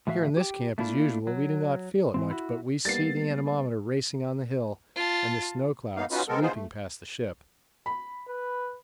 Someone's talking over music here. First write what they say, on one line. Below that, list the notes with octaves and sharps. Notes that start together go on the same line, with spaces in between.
Here in this camp as usual we do not feel it much, but we see the anemometer racing on the hill and the snow clouds sweeping past the ship.
A2 E3 F#4 A#4 E5 F5
G4 G5
A3 A#3 D4 E4 F4
F#3
E3 F3 C4
E4 F#4
G3 A#3 B3 A6 C7
F4 A5
A#3 B3 D#4 F5
C#4 D#4 F4 F#4 B4
G#3 B3 C4 A4 A#4
B3 D#4 F4 G#4 C5
A3
B5
B4